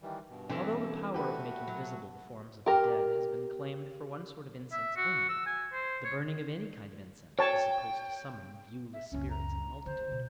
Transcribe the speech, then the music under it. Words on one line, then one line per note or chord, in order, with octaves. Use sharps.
Although the power of making visible the forms of the dead has been claimed for one sort of incense only, the burning of any kind of incense is supposed to summon viewless spirits in multitude.
D#3 E3 G3
G2 B2
D3 E3 C4 C#4
A3 F#4 G4 B4
F#3
G4 A#4
E5
F#4
E6
G#5
C5
C#5
C#5 G5 A5
E5
C#2 F#2 C#4
A#5
D3 C4 C5
B2